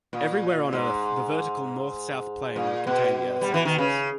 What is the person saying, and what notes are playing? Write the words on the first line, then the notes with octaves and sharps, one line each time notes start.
Everywhere on Earth the vertical north-south plane would contain the Earth's axis.
A#2
G#2
A#2
B2
G3
E3
D#3
C#3